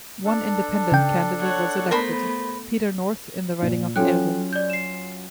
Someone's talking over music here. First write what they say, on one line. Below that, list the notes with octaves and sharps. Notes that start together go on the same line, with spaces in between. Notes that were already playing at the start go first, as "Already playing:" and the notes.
One independent candidate was elected: Peter North in the riding of Elgin.
D4 A4
C#3 G5
C#5 F#5
A3 B3 A#4 C5 B5
A#2
F#3 C#4 F4 A4 G5 F#6
D5 G6
C7 E7